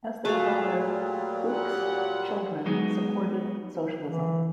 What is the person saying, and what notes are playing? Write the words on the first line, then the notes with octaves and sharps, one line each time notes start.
As their father, Fuchs's children supported socialism.
A#2 F#3 G3 A3 F#4 G#4 F5
G4 F#5
F#3 G#3 B3 D#4 G#4
E3